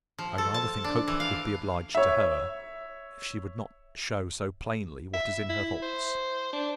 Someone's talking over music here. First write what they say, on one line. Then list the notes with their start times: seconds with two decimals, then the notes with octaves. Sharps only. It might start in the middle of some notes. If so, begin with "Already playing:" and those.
I rather think Hope would be obliged to her if she would not show so plainly what is in her thoughts.
0.18 F3
0.38 A4
0.54 A5
0.84 D4
1.08 E3
1.20 F5
1.95 C#5 E5
5.13 E5
5.49 E4
5.82 C5
6.53 D4